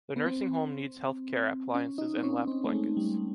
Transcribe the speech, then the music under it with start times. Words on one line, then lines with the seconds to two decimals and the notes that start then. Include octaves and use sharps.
The nursing home needs health care appliances and lap blankets.
0.16 B3
0.26 C4
1.74 C#4
1.98 D#4
2.17 C4
2.23 C#4
2.47 C4
2.64 A3
2.72 G#3
2.97 G3